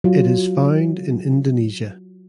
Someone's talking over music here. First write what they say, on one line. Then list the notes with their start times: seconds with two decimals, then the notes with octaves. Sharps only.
It is found in Indonesia.
0.04 F#3 F4